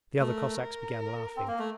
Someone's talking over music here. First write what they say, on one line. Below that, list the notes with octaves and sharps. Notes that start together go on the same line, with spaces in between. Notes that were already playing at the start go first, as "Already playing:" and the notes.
The other Cossacks began laughing.
A3 A#4
C4
A#3
A3